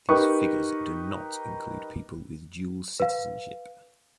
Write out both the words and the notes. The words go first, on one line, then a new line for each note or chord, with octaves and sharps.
These figures do not include people with dual citizenship.
D#4 G4 A#4 B4 C#6
B4 F5